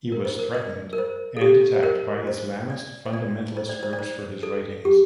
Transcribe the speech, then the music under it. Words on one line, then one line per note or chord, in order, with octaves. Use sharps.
He was threatened and attacked by Islamist fundamentalist groups for his writings.
A#4
C5
A#4
D5
A#4
C5
A4
G4
C5
A#4
C5
D5
C5
D5
C5
D5
C5
D5
C5
A4
G4